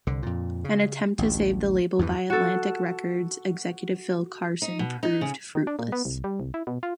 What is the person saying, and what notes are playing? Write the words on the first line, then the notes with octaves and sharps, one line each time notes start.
An attempt to save the label by Atlantic Records executive Phil Carson proved fruitless.
C2 D3
F2 A#2
C#3
A1 D2
E2 G2 C#3 E3
F#4 A4
D#4
B2
D#4
C#3
D#3
D4
A#2
B3
C2
G3
C2
E4
B2
F4